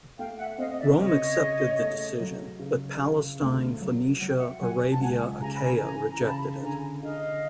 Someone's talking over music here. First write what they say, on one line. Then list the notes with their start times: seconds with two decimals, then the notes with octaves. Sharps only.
Rome accepted the decision, but Palestine, Phoenicia, Arabia, Achaea rejected it.
0.18 A3 F5 G5
0.38 E5 F#5
0.58 C4 D#5 F5
0.69 D#5
0.78 D5 E5
0.98 C#3 C#5 D#5
1.39 C#3
1.79 A3
2.20 F#3
2.59 C#3
3.00 C#3
3.41 D2
3.81 F#3
4.20 F#3 F#5
4.29 G5
4.36 E5 F#5
4.60 F#3 F#5 G#5
4.92 A5
5.01 C#2 F#5 G#5
5.41 C#3 G#5 A#5
5.55 B5
5.62 G#5 A#5
5.82 E3 G#5 A#5
6.11 A#5
6.21 C#3 A5 B5
6.62 D3 G#5 A#5
7.02 D3 D#5 F5